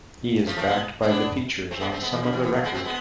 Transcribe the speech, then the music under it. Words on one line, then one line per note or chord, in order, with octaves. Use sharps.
He is backed by the Features on some of the record.
F3 A3
F3 A3
C4
G#3 B3
C4
B3 D4
A3 C4
G#3 B3
A3 C4
G#3 B3
E3 G#3
D3 F3
C3 E3
C3 E3
F3 A3
G#3 B3
A3 C4
G#3 B3